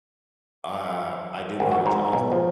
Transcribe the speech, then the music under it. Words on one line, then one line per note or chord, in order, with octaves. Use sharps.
uh, I do monetize them.
G#1
F#4
G#2
B1
F3